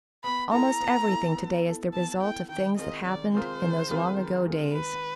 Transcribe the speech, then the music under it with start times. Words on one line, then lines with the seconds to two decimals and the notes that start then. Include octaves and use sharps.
Almost everything to-day is the result of things that happened in those long-ago days.
0.24 B3 B5
0.52 E4 A4 A#5
0.80 B3
1.08 E4 A4
1.37 B3
1.65 E4 A4
1.92 B3 A5
2.21 E4 A4 G5
2.49 D#3 G5
2.77 G#3 C4 F4 A#4 D#5
3.05 D#3 D5
3.33 G#3 C4 F4 A#4 C5
3.62 D#3
3.90 G#3 C4 F4 A#4
4.17 D#3
4.46 G#3 C4 F4 A#4
4.73 D#3 B4